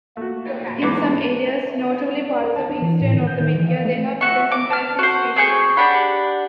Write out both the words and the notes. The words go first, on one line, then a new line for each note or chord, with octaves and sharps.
In some areas, notably parts of eastern North America, they have become invasive species.
A3 A#3 F#4
E2 G#2 B3 B4 D6
D5
A#4
A5
D4
E3
A2
D#3
G6
D#3
E3
F5
A3
F#4 E5 C#6
D6
A5 F6
F#4 C5
C4 G#4 C#6 G6
D4 G4 F#5 B5